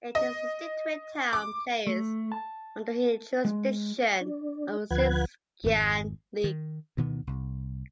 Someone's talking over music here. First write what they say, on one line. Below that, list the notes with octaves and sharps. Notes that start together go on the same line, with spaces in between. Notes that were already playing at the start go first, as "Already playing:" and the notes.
It is a district town placed under he jurisdiction of the Xing’an league.
D#5
D6
A3
A5
G#3
D4
D2 F3 B4 F#5 G#6
G#1 F2
D#3
D2 B2 D#3 B3
C2